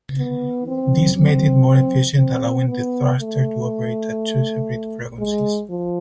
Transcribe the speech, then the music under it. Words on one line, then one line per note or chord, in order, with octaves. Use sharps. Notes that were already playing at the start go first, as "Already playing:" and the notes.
This made it more efficient allowing the thruster to operate at two separate frequencies.
B3
C4
C4
C4
B3
A3
G#3
F3